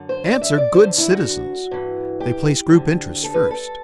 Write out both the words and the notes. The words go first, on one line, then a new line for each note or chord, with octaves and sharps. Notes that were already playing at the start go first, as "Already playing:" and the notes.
Ants are good citizens: they place group interests first.
Already playing: F#2 D3
C5
D5
E5
D5
D2 D3 C5
E4
F#4
G2 E3
G4
D2 D3
A4
B4
A4